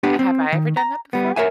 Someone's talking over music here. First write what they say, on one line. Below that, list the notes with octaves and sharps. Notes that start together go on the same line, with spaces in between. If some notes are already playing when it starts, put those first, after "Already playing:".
Have I ever done that before?
B3 D4 G4
C4
D#3
A#5
G3 B3
A#4 C#5 E5 G#5